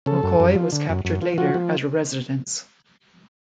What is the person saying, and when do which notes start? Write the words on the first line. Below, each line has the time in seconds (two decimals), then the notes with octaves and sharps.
McCoy was captured later at a residence.
0.06 C#3 A4
0.23 F#2
0.40 F#2
0.55 F3
0.72 D3
0.89 F#2
1.05 F#2
1.22 F3
1.38 F3 F#4
1.54 F3